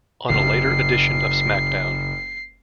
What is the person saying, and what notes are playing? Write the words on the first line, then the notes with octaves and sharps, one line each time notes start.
On a later edition of SmackDown!
F#1 C7